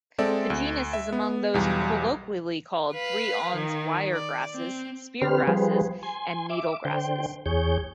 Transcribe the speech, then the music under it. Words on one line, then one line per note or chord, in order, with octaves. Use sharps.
This genus is among those colloquially called three-awns wiregrasses, speargrasses and needlegrasses.
G#3 C4 A4 D5 E5
D2
E5
B3
B1 E2 G3
B4 F5
D#3
D5
C4
D3 C4 G4 B4 C5 F6
F3 G3 G#4 B4 C5
G#5 C6
E5 D6
D3 C5 G5
E2 G#4 C#5 G6